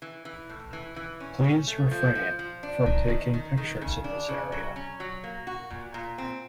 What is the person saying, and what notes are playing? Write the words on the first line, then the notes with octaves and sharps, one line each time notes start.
Please refrain from taking pictures in this area.
E3
E3
A2
E3
E3
C#4
C#4
A3
F3
F3
F3
D4
D#3
D#3
D#3
D#3
C#3
D4
C#3
F#3
C#4
F#3
A#3
F#4
A#2
A#2
C4